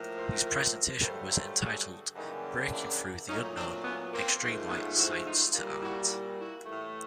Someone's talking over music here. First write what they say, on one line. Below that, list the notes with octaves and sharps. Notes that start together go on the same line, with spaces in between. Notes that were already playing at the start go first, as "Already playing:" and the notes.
His presentation was entitled "Breaking Through The Unknown: Extreme light, Science to Art".
Already playing: A2 F3 A#3
A#4 C5
A#4 C5
G2 D3 F#3 A3 A#4 C5
A#4 C5
F#4 G#4
F#2 C#3 E3 G3 A#3 C#4 D#4
D4 E4
A#2 F#3 A3 C#4 D#4
C4 D4
B3 C#4
A#3 C4
G#2 F3 A3
B3 C#4
E4 F#4
D#4 F4
A#2 G3 A#3
E4 F#4
E4 F#4
A2 E3 A3